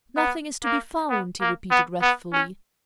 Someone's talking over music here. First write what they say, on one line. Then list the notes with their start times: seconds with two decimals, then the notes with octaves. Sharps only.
"Nothing is to be found!" he repeated wrathfully.
0.17 B3
0.63 A#3
1.10 B3
1.41 A#3
1.71 B3
2.02 B3
2.33 C#4